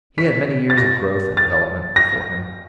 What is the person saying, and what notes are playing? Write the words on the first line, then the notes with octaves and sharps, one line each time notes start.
He had many years of growth and development before him.
B6
A6
A#6
A6
A#6